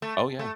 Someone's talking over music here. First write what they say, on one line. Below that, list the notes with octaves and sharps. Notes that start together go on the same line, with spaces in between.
Oh yeah.
A3
A3